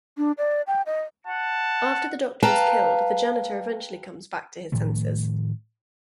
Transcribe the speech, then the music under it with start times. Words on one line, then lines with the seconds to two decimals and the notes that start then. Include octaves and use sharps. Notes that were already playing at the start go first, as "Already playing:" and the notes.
After the doctor is killed, the janitor eventually comes back to his senses.
0.18 D4
0.38 D5
0.67 G5
0.86 D#5
1.27 F#5 A5
2.43 B4 F5 G5 A5 A#5
4.72 A2 D#3 F3 A3